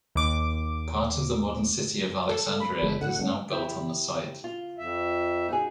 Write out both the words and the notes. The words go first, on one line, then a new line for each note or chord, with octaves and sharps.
Part of the modern city of Alexandria is now built on the site.
D#2 D6
A4
B5
F#1 F3 G#3
A2 D3 F#5
G2 A3 C#4
E4 G4
F4
F2 E5
D#4 F#4 G#4